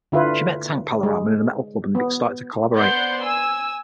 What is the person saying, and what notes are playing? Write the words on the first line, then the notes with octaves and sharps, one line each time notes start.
She met Tank Palamara in a metal club and they started to collaborate.
D3 E4 F4 B4
G#3
B3
B3 C5 D5 F#5 C6 G6
G#5 E6